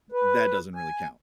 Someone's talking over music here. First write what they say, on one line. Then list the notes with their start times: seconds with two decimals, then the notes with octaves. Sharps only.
that doesn't really count.
0.12 B4
0.75 G#5